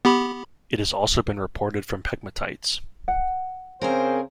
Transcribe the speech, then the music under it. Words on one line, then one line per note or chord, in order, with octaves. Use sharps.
It has also been reported from pegmatites.
B3 G4 B5
F#5
C#3 C4 G#4 A#4 C5